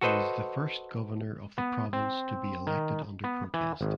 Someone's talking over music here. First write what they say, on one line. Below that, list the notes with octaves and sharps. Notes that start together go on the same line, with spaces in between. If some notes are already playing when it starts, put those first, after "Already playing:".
He is the first Governor of the province to be elected under protest.
F#4 A4 B4 C5 D#5
B3
C4
D#3
B3
E3
G#1